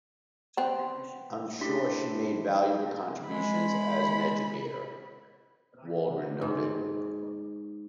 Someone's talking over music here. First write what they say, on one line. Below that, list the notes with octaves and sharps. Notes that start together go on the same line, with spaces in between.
"I'm sure she made valuable contributions as an educator," Walgren noted.
B3 C4
A3 D4 E4 G4 C6 B6
G#3 B5
G#2